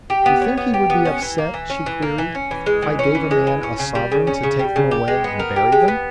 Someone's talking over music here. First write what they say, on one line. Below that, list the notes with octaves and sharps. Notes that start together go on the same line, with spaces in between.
"You think he would be upset," she queried, "if I gave a man a sovereign to take them away and bury them?"
G4
B3
C#5
B3
G4
B3
C#4
E3
A#3
E3
C#4
E3
A#3
E3
C#4
E3
G#3
E3
C#4
E3
G#3
E3
C#4
C#3
G3
C#3
C#4
C#3
G3
C#3
G4
G#3
B3
A#4
G4
G#3
B3